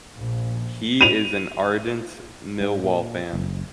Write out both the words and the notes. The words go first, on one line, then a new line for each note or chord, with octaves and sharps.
He is an ardent Millwall fan.
A#1
D#7 F7
G#2
A#2
F#1